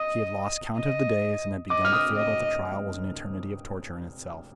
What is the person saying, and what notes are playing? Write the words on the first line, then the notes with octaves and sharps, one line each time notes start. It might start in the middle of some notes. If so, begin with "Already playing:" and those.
He had lost count of the days, and had begun to feel that the trial was an eternity of torture in itself.
Already playing: D#5 D#6
D#5
D#5 D6
F6
D#6
D#5